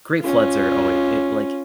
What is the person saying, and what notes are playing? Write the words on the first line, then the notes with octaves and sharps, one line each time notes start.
Great floods are always e like
C#4 F4